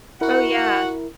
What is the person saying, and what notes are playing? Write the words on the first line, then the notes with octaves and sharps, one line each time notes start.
Oh, yeah.
E4 F#4 A#4 F#5